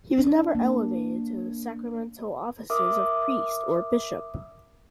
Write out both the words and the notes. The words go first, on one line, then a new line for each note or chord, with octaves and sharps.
He was never elevated to the sacramental offices of priest or bishop.
D4
A#3
A#4 E5 D6 D#6 F6